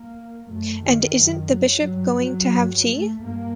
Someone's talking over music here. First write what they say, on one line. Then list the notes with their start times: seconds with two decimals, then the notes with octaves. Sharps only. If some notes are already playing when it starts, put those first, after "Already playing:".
And isn't the Bishop going to have tea?
Already playing: A#3
0.47 F#2 A3
0.82 D#3
1.16 F#2
1.50 F#3
1.84 G2
2.19 F#3
2.54 G2
2.88 A3
3.22 G2 A#3